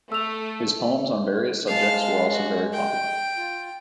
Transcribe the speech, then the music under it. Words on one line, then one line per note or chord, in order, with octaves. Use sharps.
His poems on various subjects were also very popular.
A3 E6 F7
G#3 F5 A5
F#4
G5
F4